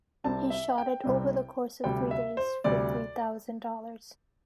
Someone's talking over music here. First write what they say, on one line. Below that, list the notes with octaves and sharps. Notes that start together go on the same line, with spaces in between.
He shot it over the course of three days for three thousand dollars.
C2 C3 G3 C4 A5
E5
G5
C2 C3 G3 C4
D2 C3 G3 G5
E5
C5
D2 C3 G3 D5